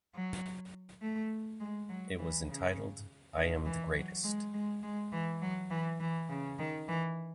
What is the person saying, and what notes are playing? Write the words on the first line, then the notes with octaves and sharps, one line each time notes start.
It was entitled I Am the Greatest!
F#3
A3
G#3
F#3
E3
C#3
D#3
E3
F#3
G#3
G#3
G#3
E3
F#3
E3
E3
C#3
D#3
E3